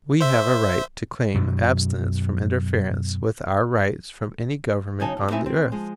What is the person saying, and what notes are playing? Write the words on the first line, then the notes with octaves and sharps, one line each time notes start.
We have a right to claim abstinence from interference with our rights from any Government on the earth.
C5 E5
F#2 B2 F#3
C#3 F#3 D#4 G#5 A5
F2
A3 C4 D#4 E4 E5 G#5
C4
F3 G#3